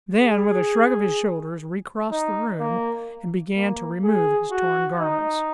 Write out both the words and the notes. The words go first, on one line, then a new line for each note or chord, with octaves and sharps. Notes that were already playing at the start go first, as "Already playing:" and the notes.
Then, with a shrug of his shoulders, recrossed the room, and began to remove his torn garments.
G#4
D#4
A#3
A#3
G#4
F#4
D#4